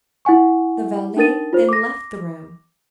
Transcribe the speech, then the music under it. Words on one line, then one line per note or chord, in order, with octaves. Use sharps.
The valet then left the room.
E4 F#5 G#5 C#6
D4 D#4 A#4 A6 D#7
F4 C5
D6 A#6